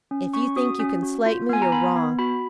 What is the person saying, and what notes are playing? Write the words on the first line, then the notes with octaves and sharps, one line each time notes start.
If you think you can slate me, you're wrong.
C#4
C#4 C#6
F#4 D#6
C#4
F#4
F4
B3 G#5
A#5
B3 B5
B3
F#4 B5